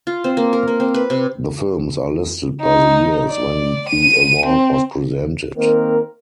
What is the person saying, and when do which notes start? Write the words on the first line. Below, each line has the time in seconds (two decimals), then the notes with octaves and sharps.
The films are listed by the years when the award was presented.
0.07 F4
0.24 C4
0.37 A#3
0.53 A#4
0.68 A#3
0.80 C4
0.94 B4
1.10 C3
2.61 D#4
3.29 D5
3.89 D#7
4.46 C4
5.57 D#3 A#3 C4 A#4